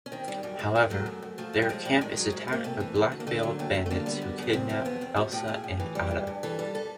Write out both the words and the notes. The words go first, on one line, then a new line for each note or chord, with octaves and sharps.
However, their camp is attacked by black-veiled bandits who kidnap Elsa and Ada.
C#4
D#3 C4
G3
F#2 G3
F#2 G#3
D#3 G#3
F#3 A3
F#2
F#2
F3 A3
A2
G3
F3 G#3
A2 G3
D#3 G#3
F#3
G#2
G#2 A#3
C3 A3
E3
D2
D2
A#3
D3 A3
F#3
D#2 A3
D#2
A3
D3 A#3
G3 B3
F#2
F#2 B3
C3 C4
F3 C4
E2 B3
E2 C4
F3 F#4
A2 G4
F3 G#4
A2
E3
G3
G2
G2
E3 A4
G3
A4